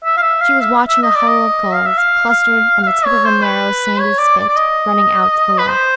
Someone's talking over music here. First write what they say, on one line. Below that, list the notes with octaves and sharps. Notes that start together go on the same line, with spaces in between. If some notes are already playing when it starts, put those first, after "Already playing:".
She was watching a huddle of gulls clustered on the tip of a narrow, sandy spit running out to the left.
E5
F5
E5
F5
E5
E5
D#5
D5
D#5
F5
E5
F5
F5
F5
E5
C#5
C5
B4
C#5
D5
D5
D5
D#5
B4
C5